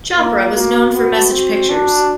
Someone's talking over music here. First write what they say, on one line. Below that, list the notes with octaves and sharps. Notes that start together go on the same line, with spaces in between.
Chopra was known for message pictures.
A#3 F4
A#3 F#4
B3
C4
D4